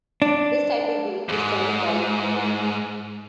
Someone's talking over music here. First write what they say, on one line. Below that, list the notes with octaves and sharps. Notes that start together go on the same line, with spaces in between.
This type of wheel is turned by wind.
D4
D#2 G#2